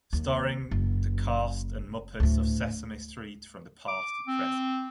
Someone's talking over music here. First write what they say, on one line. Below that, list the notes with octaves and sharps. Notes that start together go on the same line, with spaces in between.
Starring the cast and Muppets of "Sesame Street" from the past and present.
D#2
F#1
D2 A2
D6
C4